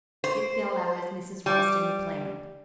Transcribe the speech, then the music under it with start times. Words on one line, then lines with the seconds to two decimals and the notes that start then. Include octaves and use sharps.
It fell out as Mrs. Ralston had planned.
0.24 C5
1.46 G3